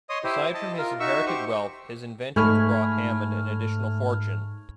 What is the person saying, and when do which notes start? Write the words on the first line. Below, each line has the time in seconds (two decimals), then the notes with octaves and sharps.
Aside from his inherited wealth, his inventions brought Hammond an additional fortune.
0.10 C#5 D#5 C6 D#6
0.24 E4 G4 C5
0.54 D#5 A5
0.78 F4 A#4
1.00 D#4 F#4 E5 C#6 E6
1.27 G4 C5 C#6
2.36 G#2 A3 C#5 G#5 B5 F6